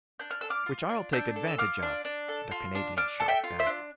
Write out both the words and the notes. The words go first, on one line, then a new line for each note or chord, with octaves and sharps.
"Which I'll take advantage of," the Canadian shot back.
D4 G6
F6
A4 E6
D6 F6
F4
D4
D4 E6 G6
A4
E6
F4 D6 F6
D4
D4
A4
F4
D4
D4 D6 F6
A4 A5
E5 G5
F4
C5 E5
D4